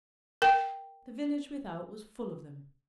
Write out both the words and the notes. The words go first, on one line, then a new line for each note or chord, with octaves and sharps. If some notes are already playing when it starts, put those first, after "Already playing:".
The village without was full of them.
A#4 G5